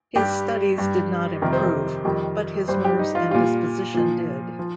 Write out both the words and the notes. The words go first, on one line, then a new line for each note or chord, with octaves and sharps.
His studies did not improve, but his nerves and disposition did.
G2 G3 G4
G2 G3
F2 C3 D#3 G3 A#4
C5
A#4
F2 D#3 G3
G2 G3 C5
G4
D#4
F4
A#2 G3 F4
A#2 F3
F3